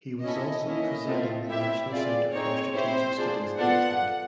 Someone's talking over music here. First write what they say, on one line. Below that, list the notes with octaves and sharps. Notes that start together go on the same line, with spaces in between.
He was also presiding the National Centre for Strategic Studies think tank.
C#4 E4 A4 D#5
A#3 C#4 E4 D#5
A3 C4 F4
C4 E4 G4 E5
C4 F4 G#4 D5
C4 D#4 G#4 C#5
C4 E4 G4 C5
D4 F4 G#4
B3 D4 F4 A4 F#5